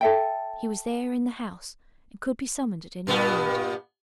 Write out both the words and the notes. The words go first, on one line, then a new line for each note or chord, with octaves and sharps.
He was there, in the house; could be summoned at any moment.
A4 E5 G5
G2 A#2 B3